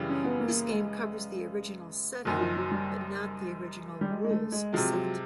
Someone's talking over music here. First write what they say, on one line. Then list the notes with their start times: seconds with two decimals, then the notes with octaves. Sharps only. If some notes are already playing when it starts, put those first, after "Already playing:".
This game covers the original setting, but not the original rules set.
Already playing: F#2 C#3 E3 G3
0.09 C#4
0.24 B3
0.40 A#3
0.70 G#3
2.25 F#1 F#2 D#3 F#3
2.36 F#3
2.40 F3
2.56 F#3
2.71 G3
4.01 G3
4.10 G#3
4.24 G#3
4.31 A3
4.52 G#3
4.73 C3 F3 F#3 G#3
4.93 F#3